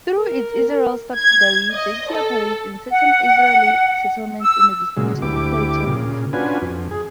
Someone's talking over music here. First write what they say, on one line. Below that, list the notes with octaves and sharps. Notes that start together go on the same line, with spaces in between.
Through its Israeli subsidiary, Dexia operates in certain Israeli settlements in the disputed Territories.
A#4
G#6
D#5
A4
F#5
E6
A#2 C#3 F#3 G#3
D2 E4 G4 D6
A#2 C#3
C#4 D4 F4 F#4 B4 G#5
F2
G#4